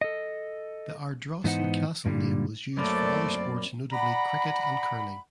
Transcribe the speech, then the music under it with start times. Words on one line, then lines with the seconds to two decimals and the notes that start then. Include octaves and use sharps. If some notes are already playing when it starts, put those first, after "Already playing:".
The Ardrossan Castle name was used for other sports notably cricket and curling.
0.01 A4 D#5
1.44 G#2 E3 B3 D#4 C5 F#5
2.06 G2 A#2 D3 G3
2.77 F#2 A3 A#3 C4 D5 B5 D6
3.92 D5 F#5 A#5 B5